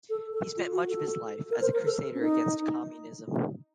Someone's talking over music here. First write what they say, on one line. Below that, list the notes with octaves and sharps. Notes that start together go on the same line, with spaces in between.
He spent much of his life as a crusader against communism.
A4
A4
F4
F#4
A4
A#4
C5
A#4
A4
C#4
D#4